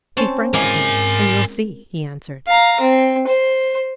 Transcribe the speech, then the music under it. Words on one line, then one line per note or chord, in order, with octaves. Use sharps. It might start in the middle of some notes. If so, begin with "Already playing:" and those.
"Be frank with me and you'll see," he answered.
C4 C#4 A5
G#3 A#3 E4 A#4 G#5
F5 A#5
C4
C5